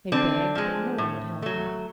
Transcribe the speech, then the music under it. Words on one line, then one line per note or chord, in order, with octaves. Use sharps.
They begged, but no one would help them.
D3 C4 D4
F3 G#3
A2
F#3 A3